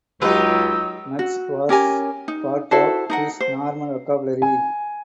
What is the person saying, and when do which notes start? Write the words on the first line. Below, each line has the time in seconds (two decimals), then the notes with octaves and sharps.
'Nuts' was part of his normal vocabulary.
0.21 C#2 F#3 D#4 F4 G4 B4 E6
1.19 F#4
1.69 C#4 G4 A#4 G#5
2.28 D#4
2.71 E4 F#4 A4 C5
3.10 D#4 A#4 F#5
3.40 C5
4.42 G#5